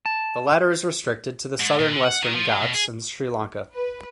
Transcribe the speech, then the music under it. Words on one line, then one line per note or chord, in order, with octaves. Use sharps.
The latter is restricted to the southern Western Ghats and Sri Lanka.
A5
G#2
A#2
D3
F#5
D#3
F3
F#3
B2
G#4
B4